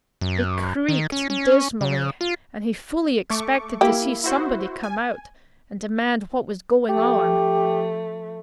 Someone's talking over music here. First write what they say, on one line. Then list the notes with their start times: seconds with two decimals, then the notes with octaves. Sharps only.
They creaked dismally, and he fully expected to see somebody come out and demand what was going on.
0.21 F#2
0.89 D#3
1.12 C#4
1.30 C#4
1.81 C#3
2.21 F4
3.30 A3 C#6 D6
3.81 A#3 E4 G4
4.24 E4 F#4 C5
4.83 G#5
6.89 F3 A3 G4